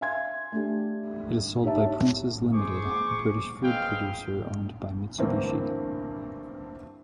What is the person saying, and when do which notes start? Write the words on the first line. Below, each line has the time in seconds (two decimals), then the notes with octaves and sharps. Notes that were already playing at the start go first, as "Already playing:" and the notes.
It is sold by Princes Limited, a British food producer owned by Mitsubishi.
0.01 E5 F5 G#5 C6 G#6
0.52 A3 D4 G4
1.63 D#4 G4 C#5 E5 A5
2.53 G#4 C5 C#6 D6
3.63 C4 G#4 B4 D#5 F5 G5
5.18 G2 D3 E3 A3 A#3 C4